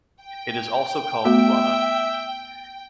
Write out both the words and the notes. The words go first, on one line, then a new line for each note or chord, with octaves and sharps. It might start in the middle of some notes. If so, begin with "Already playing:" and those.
It is also called Rana.
G5
A3 B3 F#4 E5